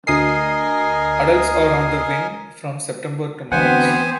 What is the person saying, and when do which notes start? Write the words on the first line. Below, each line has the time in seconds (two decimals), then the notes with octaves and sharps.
Adults are on the wing from September to March.
0.07 D2 A#4 D#5 G#5 D#6 C7
3.52 D2 E3 B3 C4 C5 F#5 G#5